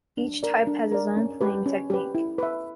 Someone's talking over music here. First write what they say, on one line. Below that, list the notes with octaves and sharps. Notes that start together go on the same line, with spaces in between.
Each type has its own playing technique.
D4
A#4 D5
D4
A#4 D5
C#4
G4 B4
C#4
G4 B4
E4
B4 E5